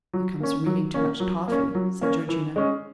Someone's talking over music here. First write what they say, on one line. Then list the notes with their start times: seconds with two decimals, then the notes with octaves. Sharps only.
"It comes from eating too much toffy," said Georgina.
0.13 F#3
0.40 A#3 C#4
0.66 F#3
0.94 A#3 C#4
1.20 F#3
1.48 A#3 C#4
1.75 F#3
2.01 A#3 C#4
2.29 E3
2.56 G#3 C#4